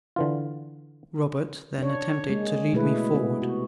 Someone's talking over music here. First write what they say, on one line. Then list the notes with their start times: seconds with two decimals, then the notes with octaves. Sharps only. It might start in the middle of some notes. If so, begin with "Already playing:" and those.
Robert then attempted to lead me forward.
0.16 D3 E3 F4
1.78 D4 C#5
2.29 G#3 A#3
2.73 B2 G#3 A3 E4 G#4 B4
3.15 C3 B3
3.42 F#4